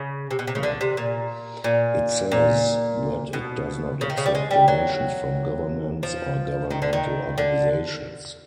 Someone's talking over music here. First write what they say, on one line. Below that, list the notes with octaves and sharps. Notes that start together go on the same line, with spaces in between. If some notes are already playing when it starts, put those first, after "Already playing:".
It says that it does not accept donations from governments or governmental organizations.
Already playing: C#3
C3
B2
C3
C#3
D3
C3
A#2
A#2
A#2
B2
C#3
D#3
C#3
G3
G#3
G3
F#3
F3
D#3
D3
D#3
D3